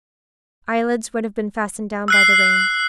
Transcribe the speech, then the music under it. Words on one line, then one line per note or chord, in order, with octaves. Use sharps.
Eyelids would have been fastened down by the rain.
E6 F#6 C7